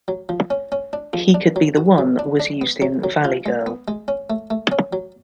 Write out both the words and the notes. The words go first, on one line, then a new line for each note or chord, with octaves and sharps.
"He Could Be the One" was used in "Valley Girl".
F#3
F3
C#4
C#4
D4
F3
D4
F#3
F#4
F#3
D4
D4
B3
F#3
F#3
F4
G#3
B3
G#3
C#4
A3
A3
C#4
F#3